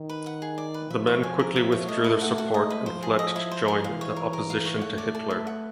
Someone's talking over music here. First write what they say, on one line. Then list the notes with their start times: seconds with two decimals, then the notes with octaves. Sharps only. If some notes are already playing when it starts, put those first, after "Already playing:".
The men quickly withdrew their support and fled to join the opposition to Hitler.
Already playing: D#3
0.09 B4
0.26 F#5
0.42 G#4
0.58 D5
0.74 B4
0.90 F3 E5
1.07 C#5
1.23 G#5
1.39 A#4
1.56 E5
1.72 C#5
1.88 A3 D#5
2.04 B4
2.21 F#5
2.38 F#4
2.54 D#5
2.70 B4
2.86 F3 C5
3.03 G#4
3.19 D#5
3.36 E4
3.51 C5
3.68 G#4
3.84 E3 F5
4.01 C#5
4.16 A#4
4.33 A#4
4.50 F5
4.65 C#5
4.82 A3 F#5
4.98 D5
5.15 A5
5.30 B4
5.47 F#5